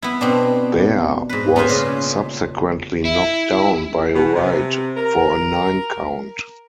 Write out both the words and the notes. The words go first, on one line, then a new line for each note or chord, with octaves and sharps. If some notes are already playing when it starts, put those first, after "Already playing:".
Baer was subsequently knocked down by a right for a nine count.
B3 E4
B2 C4 D4
G#2 B4
B3 C#4 F4 B4 C5 G#5
A#2 C#3
E4
B2
C3
A#4